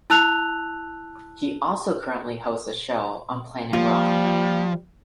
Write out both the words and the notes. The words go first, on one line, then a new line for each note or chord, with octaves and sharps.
He also currently hosts a show on Planet Rock.
E4 A5 E6 F#6 F7
F3 G3 A#3 F4